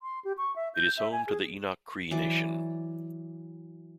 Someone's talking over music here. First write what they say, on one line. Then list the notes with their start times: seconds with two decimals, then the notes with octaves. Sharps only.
It is home to the Enoch Cree Nation.
0.03 C6
0.25 G4
0.38 C#6
0.56 E5
0.75 G6
0.97 E5
1.12 G#5
1.27 G#4
2.11 E3 F#3 D5